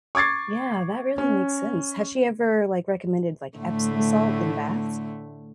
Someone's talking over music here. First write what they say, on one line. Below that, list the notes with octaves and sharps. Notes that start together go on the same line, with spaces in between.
Yeah that really makes sense. Has she ever, like, recommended, like, Epsom salt in baths?
C#6 D6 G#6 A6 C7
C#4
A2 D3 A3